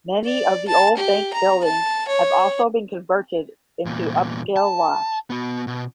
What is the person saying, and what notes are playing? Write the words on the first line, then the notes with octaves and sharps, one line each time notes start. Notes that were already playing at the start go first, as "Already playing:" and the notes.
Many of the old bank buildings have also been converted into upscale lofts.
D5
A5
G4
A#5
A5
C#5
E2 A#2
A5
B3 F#4
B2